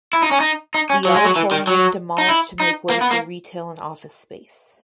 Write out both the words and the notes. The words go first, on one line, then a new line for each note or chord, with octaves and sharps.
The auditorium was demolished to make way for retail and office space.
E4
D#4
C#4
D#4
D#4
C#4
F#3
G#3
F#3
E3
D#3
F#3
D#4
E4
D#4
A#3
B3
A#3